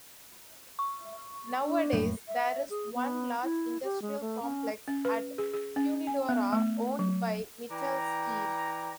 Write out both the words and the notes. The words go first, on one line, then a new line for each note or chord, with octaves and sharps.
Nowadays, there is one large industrial complex at Hunedoara owned by Mittal Steel.
C#6
D4
F2 A2 F#3 A#3
E5
G#4
B3
E4
G4
G#3
A3
C#4
C#4
B4
G#4
G#4
C#4
G#5
B3
A3
F#3
E3 D5 G5 A#5